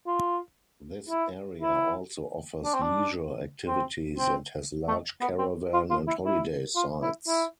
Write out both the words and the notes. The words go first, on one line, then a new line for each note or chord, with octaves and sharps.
This area also offers leisure activities, and has large caravan and holiday sites.
F4
E4
E4
D4
C4
D4
C4
C4
A3
B3
C4
F4
F4
E4
E4
F4
E4
E4